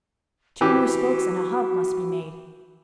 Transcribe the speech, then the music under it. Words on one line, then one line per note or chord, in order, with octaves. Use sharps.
Two new spokes and a hub must be made.
E3 F#4 G4